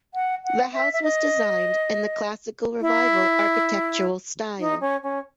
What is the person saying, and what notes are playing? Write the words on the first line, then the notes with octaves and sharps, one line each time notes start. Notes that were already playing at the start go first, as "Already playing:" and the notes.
The house was designed in the Classical Revival architectural style.
F#5
F#5
E5
E5
D#5
E4
D#4
C#4
C#4